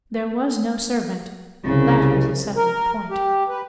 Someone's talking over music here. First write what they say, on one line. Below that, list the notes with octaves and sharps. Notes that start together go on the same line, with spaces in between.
There was no servant--that was a settled point.
C2 C#3
A#4
G4
B4